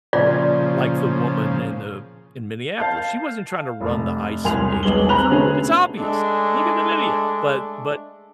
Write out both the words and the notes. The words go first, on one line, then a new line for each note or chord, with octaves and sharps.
like the woman in the in Minneapolis, she wasn't trying to run the ICE agent over, it's obvious! Look at the video, but but
A#2 C#3 F3 D5
F5 A5 G6
F1
E1 C2 G#5 C6 F7
E1 B1 G#3 B3 F#7 G7
C4 A#5 B5 F#6 F7 F#7
D3 A3 B3 C#4 G#4
G#3 A3 D4